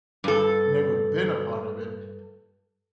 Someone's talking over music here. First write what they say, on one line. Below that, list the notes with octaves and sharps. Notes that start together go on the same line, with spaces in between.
never been a part of it,
G2 A4